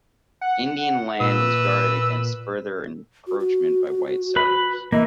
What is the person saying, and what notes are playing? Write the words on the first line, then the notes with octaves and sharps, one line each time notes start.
Indian land was guarded against further encroachment by white settlers.
F#5
A#2 B4 E6
F#4
F#4
B4 B5
E3 A#3 D#5